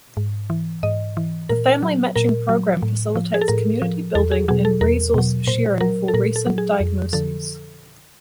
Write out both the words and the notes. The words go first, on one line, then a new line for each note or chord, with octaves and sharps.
The family matching program facilitates community building and resource sharing for recent diagnoses.
G#2
E3
G#2 D#5
E3
A#2 A#4
F#3
A#2 A#4
F#3
A2
F3
G#4
A4
A2 A#4
F3
E2 A4
G#4
B2 F#3 G#4
A4
E2 A#4
B2 F#3
A#2 C5
F#3 A#4
A4
A#2 A#4
A4
F#3
G#4
F2
D3 F3 A4